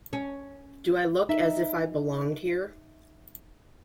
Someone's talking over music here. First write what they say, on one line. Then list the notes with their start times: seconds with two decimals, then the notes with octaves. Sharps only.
Do I look as if I belonged here?
0.13 C#4
1.29 D#4 E5